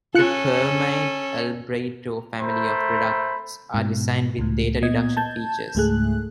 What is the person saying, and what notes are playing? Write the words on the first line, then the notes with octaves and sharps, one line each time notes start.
The Permabit Albireo family of products are designed with data reduction features.
C#4 F4 A4 F#6 C#7
A3 A#4 C5 B5
G#2 B2
C#2 A2
A#2 B3 D#5 G#6
A5 G6 G#6
C#2 G#2 A3 G#4 F#6